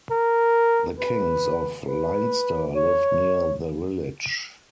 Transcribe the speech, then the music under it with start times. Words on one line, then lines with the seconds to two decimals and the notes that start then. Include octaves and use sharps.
The Kings of Leinster lived near the village.
0.11 A#4
1.00 B4
1.88 B4
2.76 C#5